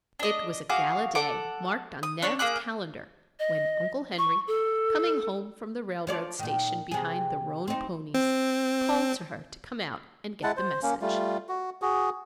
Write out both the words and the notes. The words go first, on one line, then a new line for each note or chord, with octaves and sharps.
It was a gala day marked on Nan's calendar when Uncle Henry, coming home from the railroad station behind the roan ponies, called to her to come out and get the message.
D4 D#5
F#4 G#4 F5 D6
A4 F#5 D6
D#6
D4 C#5 D5
A#3 G#4 D6 F#6
D#5
C#6
A4
F3 C#5 D5
A#2 D#3
C3 G#4
C4 D#4
C4
G#3 E4 F#5 A5
C5
A#3 C#4
G3 A3 F4
F#4
F#4 G#4